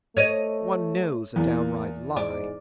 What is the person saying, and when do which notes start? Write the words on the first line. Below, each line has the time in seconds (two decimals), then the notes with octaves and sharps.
One knows a downright lie.
0.17 A3 C#5 D#5
1.36 E2 A#3
2.17 G#2 D5